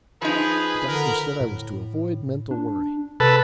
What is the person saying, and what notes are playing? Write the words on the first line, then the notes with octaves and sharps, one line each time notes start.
The doctor said I was to avoid mental worry.
F3 D#4 G#4 B4
D3 A#4
A2
D4
C3 A4 B4